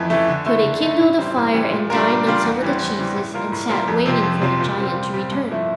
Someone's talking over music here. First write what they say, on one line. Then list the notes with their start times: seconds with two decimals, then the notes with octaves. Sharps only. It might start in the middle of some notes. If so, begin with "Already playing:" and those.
So they kindled a fire, and dined on some of the cheeses, and sat waiting for the giant to return.
Already playing: F2 E3 A3
0.10 E3 A3
0.28 D3
0.46 A3 E4
0.64 D3
0.82 A3 E4
1.00 A2
1.18 E3 G3 C4
1.36 A2
1.54 E3 G3 C4
1.72 A#2
1.90 G3 D4 F4 A#4
2.08 A#2
2.26 G3 D4 F4 A#4
2.44 E2
2.62 E3 G3 C4
2.80 E2
2.98 E3 G3 C4
3.16 A2
3.34 G3 A#3 F4 A#4
3.52 A2
3.70 G3 A#3 F4 A#4
3.88 F2
4.06 C3 F3 C4
4.23 F2
4.42 C3 F3 C4
4.60 A#2
4.77 G3 C4
4.95 A#2
5.14 G3 C4
5.31 G2
5.50 F3 A3 E4